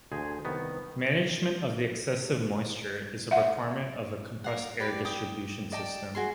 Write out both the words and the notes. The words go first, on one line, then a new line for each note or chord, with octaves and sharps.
Management of the excessive moisture is a requirement of a compressed air distribution system.
D2 G#4 C5
C2 D#3 B3
E5 F#5
A#4 F5 F#5
G4 B4 D5
G5 D#6
D5 D#5 G5 A5
F#4 G#4 C6